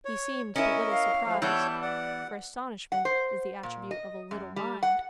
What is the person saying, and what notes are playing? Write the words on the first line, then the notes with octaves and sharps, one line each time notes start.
He seemed but little surprised, for astonishment is the attribute of a little mind.
C#5
C#4 E4 A#4 D#5 G#5
F5
F3 A3
E3 G3 B3 C#5 A5 G6
D5 F#5
F#5
C5
A#2
D#5
F#2
G3
F#5